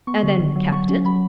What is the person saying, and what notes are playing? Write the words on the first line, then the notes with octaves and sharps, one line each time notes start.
"And then kept it?"
B3 C#6
D3
D3
F#3
F#3 C#6
C#4
F#3 B5